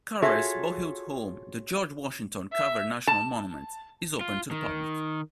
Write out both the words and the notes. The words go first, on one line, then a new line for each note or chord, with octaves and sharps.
Carver's boyhood home, the George Washington Carver National Monument, is open to the public.
F4 F#4 G#4 A4 C#5 E5
E5
A5
F4
D#3